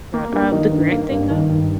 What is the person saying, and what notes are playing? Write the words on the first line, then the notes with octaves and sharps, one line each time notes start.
God, uh, with the Grant thing though,
A#3
G2
D#3
G2
A#3
G2
D#3
G2